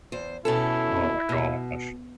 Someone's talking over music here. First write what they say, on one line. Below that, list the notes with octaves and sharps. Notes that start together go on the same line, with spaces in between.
Oh my gosh.
E2 C5
B2 C#4 E4 A4
B2